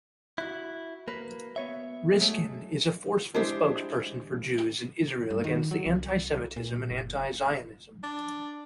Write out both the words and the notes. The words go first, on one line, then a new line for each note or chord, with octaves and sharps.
Riskin is a forceful spokesperson for Jews and Israel against anti-Semitism and anti-Zionism.
E4 F#4 F#6
A#3 B4
B3 C#5 E5
F#3 G#3 A3
G#3 D4 E4 G4 C5
G2
D#3
F#3
C2
A#2
F#1
D4